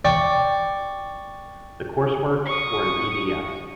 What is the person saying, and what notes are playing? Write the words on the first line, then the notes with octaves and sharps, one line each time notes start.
The coursework for an Ed.S.
D5 G5 C#6
C#6 D#6